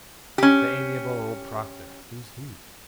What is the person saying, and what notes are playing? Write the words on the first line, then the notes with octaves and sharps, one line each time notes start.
"The amiable old Proctor"--who's he?
C#4 G4